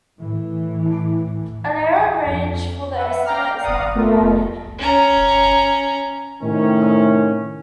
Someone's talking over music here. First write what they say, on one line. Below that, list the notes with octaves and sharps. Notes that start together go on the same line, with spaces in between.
An error range for the estimate is not provided.
A2 E3
F2
B4 E5 F#5
F5 G5 A#5 D6 F6
D5 F5 F#5 A#5 D#6
A3 B3 F4 A#4
C#4 A#5
A2 C3 D#3 C#4